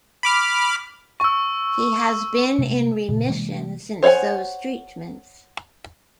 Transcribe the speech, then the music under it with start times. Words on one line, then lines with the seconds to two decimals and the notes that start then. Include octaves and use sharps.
He has been in remission since those treatments.
0.23 B5 D6 F6
1.20 C#6 E6
2.59 C3 G#3 A3
3.09 A#2 C#3
3.29 C3 E3 G#3 A#3
4.03 C5 C#5 F5 F#5 G#5